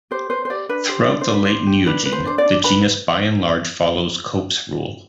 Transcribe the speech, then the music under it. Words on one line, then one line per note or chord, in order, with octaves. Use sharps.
Throughout the late Neogene, the genus by and large follows Cope's Rule.
G4 C5
B4 C5
C5
G4 D5
D4 B4
G4 C5
D4 D5
C5
D4
B4
D4 C5
G4
D4 B4
B4
C5
D4 C5
D5
D4
B4 B5